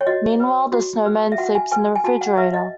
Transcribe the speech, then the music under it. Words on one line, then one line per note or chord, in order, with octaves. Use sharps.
Meanwhile, the snowman sleeps in the refrigerator.
C#5
F#4 D#5
B4
F#4
B4
E5
F#4 F#5
G#5
B4 G#5
G#5
F#4 A5
F#5
B4 E5
D#5